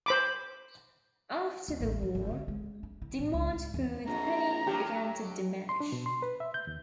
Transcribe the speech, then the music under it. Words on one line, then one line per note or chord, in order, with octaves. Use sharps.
After the war, demand for the penny began to diminish.
C5 B5 D6
D#2
A1
F3
G#1
D3
G#3
D4
E3
A2
C#2
G#2
E2
A#1 F2 A2 A#5
G2 F#3 G4
C6
D4
B2
C6
B4
E5
G6
D#2